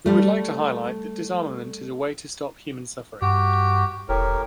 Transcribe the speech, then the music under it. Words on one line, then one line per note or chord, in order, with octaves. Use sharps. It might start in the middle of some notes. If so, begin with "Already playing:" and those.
We would like to highlight that disarmament is a way to stop human suffering.
G3 A3
G2 F#4 G4
E1 A2 G4 A#4